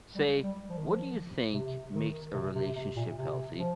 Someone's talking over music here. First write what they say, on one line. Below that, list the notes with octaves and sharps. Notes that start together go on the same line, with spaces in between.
Say, what do you think makes a relationship healthy?
G3
G3
F3
D#3
F3
C3
D#3
C3
C3
C3
A#2
C3
F3